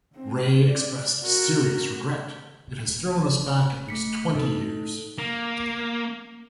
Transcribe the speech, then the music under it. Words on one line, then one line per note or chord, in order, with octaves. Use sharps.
Wray expressed serious regret: It has thrown us back at least twenty years.
C4
D5
F#4 A#4
C3
D#1
A3 B6 C#7
A2 D#4 A4
A#3